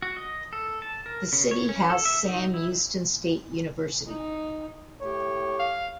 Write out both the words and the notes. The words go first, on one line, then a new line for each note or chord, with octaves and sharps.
The city has Sam Houston State University.
F#4
D#5
A4
A5
A#4
C#3
C#5
C#4
A4
E5
D#4
E4
D#4
A2 G4 C#5
F5